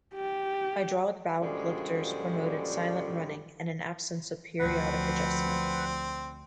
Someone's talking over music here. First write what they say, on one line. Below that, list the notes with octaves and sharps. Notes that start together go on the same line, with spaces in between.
Hydraulic valve lifters promoted silent running and an absence of periodic adjustment.
G4
F#2 A#2 D3 F3 G3 G#3
D2 F3 C4 B4 F#5